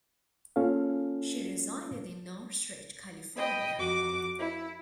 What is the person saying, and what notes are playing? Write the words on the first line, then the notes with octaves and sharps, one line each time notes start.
She resided in Northridge, California.
A#3 C#4 F4 A4 F5
D#5 G5 B5
F2 F#4 D6
E4